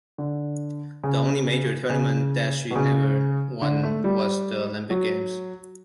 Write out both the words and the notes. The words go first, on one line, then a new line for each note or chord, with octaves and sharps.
The only major tournament that she never won was the Olympic Games.
D3
C#3
C#3
B2
C#3
D3
A3
G3
F#3